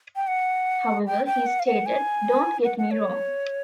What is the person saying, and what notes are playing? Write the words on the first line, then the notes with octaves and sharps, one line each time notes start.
However, he stated, Don't get me wrong.
G5
F#5
G5
G5
F#5
F5
F#5
G#5
F#5
F#5
C#5